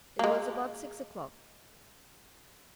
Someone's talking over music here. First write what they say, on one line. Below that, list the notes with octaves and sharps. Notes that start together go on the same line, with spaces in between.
It was about six o'clock.
G#3 A#3